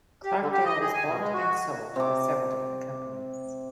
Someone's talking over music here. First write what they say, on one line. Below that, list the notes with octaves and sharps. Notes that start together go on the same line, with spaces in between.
Clarkdale was bought and sold by several different companies.
G4
D3
G4
D#5
G#4
G#5
B2
G#3
F#4
C3 D6